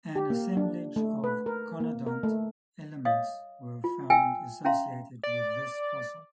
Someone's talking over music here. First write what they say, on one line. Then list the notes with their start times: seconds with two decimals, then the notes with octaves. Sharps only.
An assemblage of conodont elements were found associated with this fossil.
0.16 G4
0.30 A#3
0.57 D4
0.96 A3
1.24 B4
1.46 A#4
1.80 A#3
2.06 A#4
2.23 A3
3.05 C#5 D#5 F5 D#6
3.84 F4
4.10 E5 G5 G#5 E6
4.65 C#4 E5 F5 A#5 C6
5.24 D5